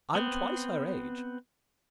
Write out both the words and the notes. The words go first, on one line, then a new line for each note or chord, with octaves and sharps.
I'm twice her age.
B3 C4